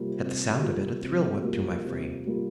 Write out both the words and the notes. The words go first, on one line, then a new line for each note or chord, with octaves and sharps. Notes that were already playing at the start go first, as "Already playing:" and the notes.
At the sound of it, a thrill went through my frame.
Already playing: C3 G3 A#3 F4
C3
G3 A#3 F4
C3
G3 A#3 F4
C3
G3 A#3 F4